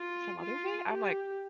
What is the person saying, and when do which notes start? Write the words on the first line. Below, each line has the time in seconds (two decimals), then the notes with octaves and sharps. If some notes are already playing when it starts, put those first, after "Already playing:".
some other day?" I'm like
Already playing: F4
0.42 F4
0.90 G4